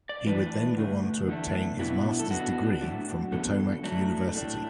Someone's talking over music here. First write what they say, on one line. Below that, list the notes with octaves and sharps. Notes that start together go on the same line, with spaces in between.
He would then go on to obtain his master's degree from Potomac University.
D5
A2 E3 D4 B4
D3 A3 D4
E2 D3 A3 D4
B2 F#3 B3 D4 E4
A4
D3 B3 D4 F#4
A2 F#3 A3 D4
E2 D3 F#3 B3 D4 A4
A2 F#3 A3 D4
A2 A3 D4